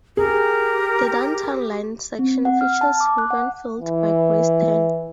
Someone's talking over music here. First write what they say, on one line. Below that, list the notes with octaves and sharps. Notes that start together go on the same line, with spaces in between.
The Downtown Line section features "Woven Field" by Grace Tan.
G4 G#4 A#4
C4
F#5
F6
A5
D6
F#6
F#5
E3